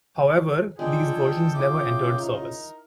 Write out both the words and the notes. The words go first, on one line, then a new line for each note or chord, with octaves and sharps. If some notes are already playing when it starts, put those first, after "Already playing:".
However, these versions never entered service.
G#3 C4 D4 F4 G#4 A4 G5 D#6
C#3 E4 F4 A4 G5 D6 D#6
D#4 A#4